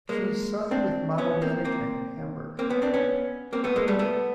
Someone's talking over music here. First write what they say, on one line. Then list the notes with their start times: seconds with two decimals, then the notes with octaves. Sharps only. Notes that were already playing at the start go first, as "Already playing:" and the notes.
She's signed with Model Management in Hamburg.
0.09 G#3 A#3
0.71 C4 D4
1.18 B3 C#4
1.42 A#3 C4
1.65 A#3 C4
2.59 A#3 C4
2.70 B3 C#4
2.82 C4 D4
2.94 B3 C#4
3.53 A#3 C4
3.64 A3 B3
3.76 G#3 A#3
3.88 G3 A3
3.99 A3 B3